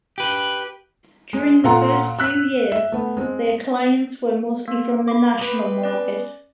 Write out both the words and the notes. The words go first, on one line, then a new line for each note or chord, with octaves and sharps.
During the first few years, their clients were mostly from the national market.
G4 B4
G#3
A#2 A4 F5 F#5 A#5 C6
E6 F#6 B6
E5
A3 B3
G#3 C4
A#3
B5 D6
B3 C4 B4
C#4 D5